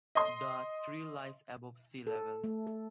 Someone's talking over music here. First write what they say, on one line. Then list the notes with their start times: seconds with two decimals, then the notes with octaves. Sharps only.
The tree lies above sea level.
0.15 D#5 C6
2.07 A4
2.44 A3
2.67 A4